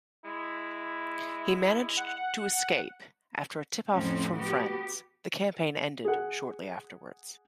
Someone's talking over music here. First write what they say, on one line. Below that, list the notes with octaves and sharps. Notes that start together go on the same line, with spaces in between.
He managed to escape after a tip-off from friends; the campaign ended shortly afterwards.
G#3 E4
F#5
F2 A2 F3 F#3 C4 C#4
B3 F#4 G4
G#4 F#5